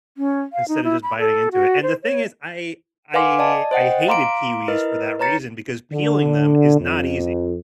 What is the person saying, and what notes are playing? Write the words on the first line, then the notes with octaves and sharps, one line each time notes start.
instead of just biting into it. And the thing is, I I I hated kiwis for that reason, because peeling them is not easy.
C#4
F5
D#4
E4
B5
A4
F#4
C5
C#5
B4 F5 F#5 G#5 C6 D6
D5 D#5 A5
C5 D#5 F#5 G5
F5 A#5 C6 D6 D7
E4 A#4 B4 D#5
B4 C#5 A#5 A6 C#7
D3
F2